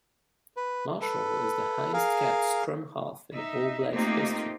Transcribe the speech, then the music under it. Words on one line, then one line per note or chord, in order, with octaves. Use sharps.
Marshall is the highest capped scrum half in All Blacks history.
B4
A4 B4
G#4 A#4 F5
D#4 E5
A3 A#3 C4 D#4 F4 G4